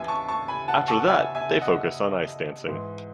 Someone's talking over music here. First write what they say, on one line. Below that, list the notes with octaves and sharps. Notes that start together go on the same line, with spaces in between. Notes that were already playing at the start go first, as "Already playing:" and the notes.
After that they focused on ice dancing.
Already playing: D#2 C#3 E3 E5 G#5
A5 C#6
A5 C#6
G#5 B5
F#5 A5
A5 C#6
F#5
E5 G#5
E5 G#5
D#5 F#5
G#2 E3